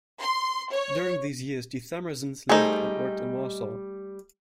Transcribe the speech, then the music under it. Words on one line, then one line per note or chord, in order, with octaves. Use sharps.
During these years the Themersons lived and worked in Warsaw.
C6
C#5
G3 A3 D#4 G#4 C5